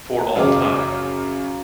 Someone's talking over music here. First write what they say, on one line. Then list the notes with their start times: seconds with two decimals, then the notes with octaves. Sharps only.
For All Time.
0.36 F#2 C#3 F5 D6